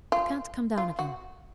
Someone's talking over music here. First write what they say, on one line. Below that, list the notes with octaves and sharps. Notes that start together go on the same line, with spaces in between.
'I can't come down again.
F4
F4
F#4